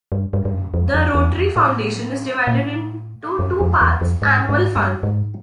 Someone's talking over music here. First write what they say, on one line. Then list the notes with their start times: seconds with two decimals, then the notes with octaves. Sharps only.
The Rotary Foundation is divided into two parts: Annual Fund.
0.12 G2
0.33 G2
0.45 G2
0.53 F#2
0.74 F2
0.94 F2
1.15 E2
1.31 F#2
1.36 F2
1.56 A2
2.47 A#2
2.58 A2
3.39 F#2
3.61 F2
3.81 E2
4.01 F2
4.22 G#2
4.49 G#2
4.76 G2
5.03 G#2